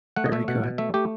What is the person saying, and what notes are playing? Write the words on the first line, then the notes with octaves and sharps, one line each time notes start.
Very good.
A3 F#5
D#5
A3 E5
B2 F#5
B2
A3 E5
A3 G4